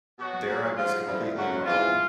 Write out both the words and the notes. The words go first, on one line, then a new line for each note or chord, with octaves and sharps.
There I was completely wrong.
B2 F#3 F#4
A#2 F#3
G#2 F3 F4
G2 D3 F3 E4
F#2 D3 F#3 F#4
G#2 E3 F4